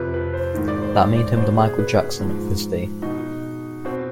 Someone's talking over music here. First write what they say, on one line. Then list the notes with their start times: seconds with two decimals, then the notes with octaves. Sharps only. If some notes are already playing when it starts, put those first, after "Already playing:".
That made him the Michael Jackson of his day.
Already playing: F2 C3 F3 B4
0.14 B4
0.33 C5
0.55 G#2 D#3
0.68 D5
0.82 C5
0.95 D5
1.16 D5
1.37 B2 C5
1.58 G#4
1.79 B4
2.19 G#2 F3
3.02 B2 D#4
3.85 B2 C4